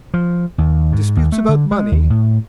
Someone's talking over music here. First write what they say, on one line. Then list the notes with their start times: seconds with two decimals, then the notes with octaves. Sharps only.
"Disputes about money?"
0.14 F3
0.58 D#2
0.92 G#2
1.16 D#2
1.32 A3
1.49 D3
1.71 G#3
1.92 D#2
2.10 A2